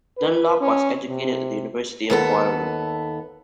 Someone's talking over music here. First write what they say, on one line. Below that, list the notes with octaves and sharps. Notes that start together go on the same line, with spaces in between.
Dunlop was educated at the University of Waterloo.
B4
C#4
C3
D#2 B3 A4